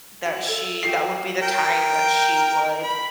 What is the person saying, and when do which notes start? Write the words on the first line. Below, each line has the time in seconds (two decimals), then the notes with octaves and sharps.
that she that would be the time that she would,
0.25 F#4 D#5
0.48 A4
0.83 A3 F#4 G4 C7
1.42 A#4 G5
2.83 B5